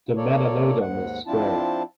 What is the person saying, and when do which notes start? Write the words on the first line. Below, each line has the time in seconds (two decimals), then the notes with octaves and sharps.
The Metanotum is square.
0.16 A#3 A4 C#5 D5
0.81 D#2 G#2 F#5
1.27 F3 C4 D4 E4 F4 A5